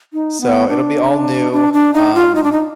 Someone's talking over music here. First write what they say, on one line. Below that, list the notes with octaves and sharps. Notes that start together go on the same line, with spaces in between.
So, it'll be all new, um
D#4
B3
D4
D4
D4
D#4
F4
D#4
D4
D#4